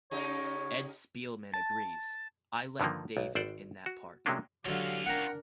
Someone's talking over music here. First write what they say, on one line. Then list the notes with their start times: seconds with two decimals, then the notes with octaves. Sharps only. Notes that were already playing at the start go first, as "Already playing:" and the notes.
Ed Spielman agrees: I liked David in the part.
0.11 C#3 D#4 G4 C#5
1.54 A5
2.80 G2 D3 D#3 F3 A#3
3.17 B1
3.35 G#1 C5 D5 F#5
3.86 F#4
4.26 C3 F#3 G#3 A#3 C#4 D4
4.66 D3 F#3 C#4 F4 G4 F5
5.06 D4 A#4 F#5 G5 A#5